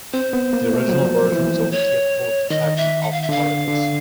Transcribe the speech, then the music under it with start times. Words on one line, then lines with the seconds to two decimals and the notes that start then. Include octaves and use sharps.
The original version was only capable of detecting alpha particles.
0.13 C4 C5
0.33 B3
0.53 A#3
0.74 A3
0.88 F#3
0.93 F3
1.32 E3
1.71 C#5
2.50 D#3 D#5
2.77 E5
3.02 F#5
3.11 F5
3.22 E5
3.29 D3 F5
3.68 D3